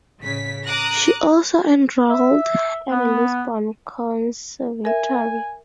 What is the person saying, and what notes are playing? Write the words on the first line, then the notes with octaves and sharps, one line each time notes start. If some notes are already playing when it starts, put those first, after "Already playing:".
She also enrolled at the Lisbon Conservatory.
A1 C#3 B6
A#5 D6 D#6 F#6 A#6
E5
B3
A#4 E5 G#5